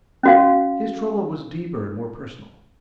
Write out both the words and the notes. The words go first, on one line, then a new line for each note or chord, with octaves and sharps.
His trouble was deeper and more personal.
C#4 F#4 F5